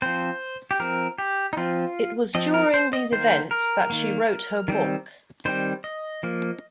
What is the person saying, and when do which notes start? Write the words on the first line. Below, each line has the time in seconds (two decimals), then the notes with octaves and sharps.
It was during these events that she wrote her book.
0.02 F3 C4 C5
0.71 G4
0.80 F3 C4 A#4
1.18 G4
1.53 D#4
1.57 F3 C4 F4
2.35 F3 C4 D#5
2.54 A#4
2.74 C5
2.93 D#5
3.12 D#3 A#3 C5
3.51 A#4
3.90 D#3 A#3
4.68 D#3 G3 C4
5.45 D#3 G3 C4 C5
5.84 D#5
6.23 F3 A#3